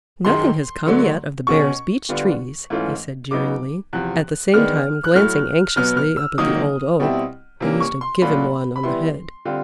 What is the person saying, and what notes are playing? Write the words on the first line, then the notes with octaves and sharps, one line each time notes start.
"Nothing has come yet of the Bear's Beech Trees," he said jeeringly, at the same time glancing anxiously up at the Old Oak, who used to give him one on the head.
F#2 D#3 G#3 C6
D3 F#3 A3
B2 G#3 C#4 C#6
D3 G3 B3 D4 F4
G#2 E3 A3 C#4 F4
C#3 F#3 B3 D#4 D6
E2 C3 F3 F#6
D#3 G#3 B3 D4 F6
F#6
A2 F#3 A3 F6
B2 F#3 B3 F6
F6
E6
D#3 F#3 A#3 D#4 D#6
B2 G3 C4 E4
C3 E3 G3 A#3 C#4
C#6
C6
A#2 F#3 A3 D4 F4 B5
B5
E3 G3 B3 E4 C6
D3 G3 C4 F4